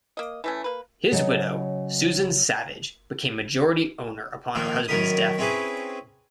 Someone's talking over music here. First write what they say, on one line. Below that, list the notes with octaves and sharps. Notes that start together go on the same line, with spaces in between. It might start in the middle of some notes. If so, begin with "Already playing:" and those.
His widow, Susan Savage, became majority owner upon her husband's death.
A#3 D#5
E3 A3 C#4
A#3 B4
C#3 F#3 C#5 D#5
D#3 F3 A#3
F#2 D#3 F#3 A#4 B5 D#6
C4 C#4 E4 G#4 B4